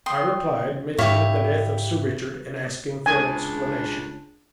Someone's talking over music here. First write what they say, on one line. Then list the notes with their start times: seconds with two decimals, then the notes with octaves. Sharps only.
I replied, mentioning the death of Sir Richard, and asking for an explanation.
0.06 G5 C6 D#6
0.98 G#2 E4 G4 C#5 F5 G5
3.06 C#2 D4 G#5